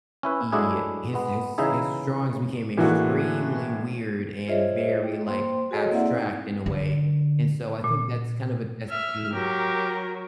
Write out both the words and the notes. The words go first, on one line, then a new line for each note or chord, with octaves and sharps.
he his his his drawings became extremely weird, and very, like, abstract in a way, and so I think that's kind of a test to
C#4 E4 B4
F#3 G#3 A3 D4 E4 G#4
G#3 B3
C#3 E3 D#4 E4 G#4
A2 E3 G#3 A#3 D4 F#4
F4 G#4 C5 C#5 D#5 E5
G5
A#3 C5 G5 C6
F#4 G#4 A4 C#5 D#5 G5
A#3 C4 E4 D5 E5 F#5
D#4
D3
A#2
E5 F6
F#3 G4 A#4